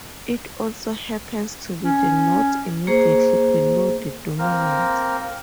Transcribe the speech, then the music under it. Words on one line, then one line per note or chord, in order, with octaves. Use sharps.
It also happens to be the note immediately "below" the dominant.
C#4
A#3 G#4 C5
A#3 C4 A#4